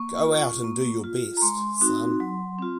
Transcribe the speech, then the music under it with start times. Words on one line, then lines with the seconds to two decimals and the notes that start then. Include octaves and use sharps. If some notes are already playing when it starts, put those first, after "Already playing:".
Go out and do your best, son.
Already playing: A#3 C#6
0.26 F4
0.64 A#3
1.04 F4
1.37 A#5
1.42 G#3 C6
1.81 C4 D#4 F#4
2.20 F#3
2.59 C4 F4